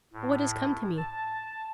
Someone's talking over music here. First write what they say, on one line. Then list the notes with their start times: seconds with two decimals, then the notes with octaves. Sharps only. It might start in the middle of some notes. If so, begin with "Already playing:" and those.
What is come to me!
0.13 A2
0.97 A5